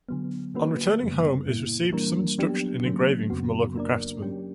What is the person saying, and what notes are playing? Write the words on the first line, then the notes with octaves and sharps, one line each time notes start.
On returning home is received some instruction in engraving from a local craftsman.
D3 F#3 B3
D3 A#3 C#4 F#4 B4
F#2 C#3 G3 B3
A#2 A#3 E4
E3 G3 A#3 D4 A#4
F#3 B3 D4 G4
D3 F#3 A#3 C#4
F#2 C#3 F#3 B3 F#4
A#3 D4 A#4 D5
F#3 C#4 G4